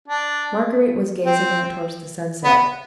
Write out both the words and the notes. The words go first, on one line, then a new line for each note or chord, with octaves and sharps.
Marguerite was gazing out towards the sunset.
D4
C4
B3